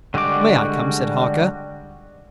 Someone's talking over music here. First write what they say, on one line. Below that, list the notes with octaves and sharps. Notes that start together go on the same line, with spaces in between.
"May I come?" said Harker.
D3 G3 G#3 F#4 D6